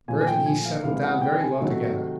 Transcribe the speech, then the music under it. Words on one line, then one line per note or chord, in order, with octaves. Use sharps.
Bert and he settled down very well together.
A#2 F3 A3 G#5
G#5
G5
G#5
F5
C3 E3 G#3 F5
F5
F#5
G5
G#5
C3 D#3 F#3 A3